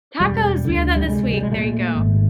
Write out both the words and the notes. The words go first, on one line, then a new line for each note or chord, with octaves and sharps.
Tacos, we had that this week, there you go.
E1 G3
D2 D3
G3
C2 G#3
G3
G#3
A#2 A3
G#1